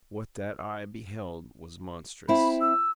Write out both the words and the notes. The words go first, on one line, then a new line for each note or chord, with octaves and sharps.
What that eye beheld was monstrous.
C4 E4 B5
E6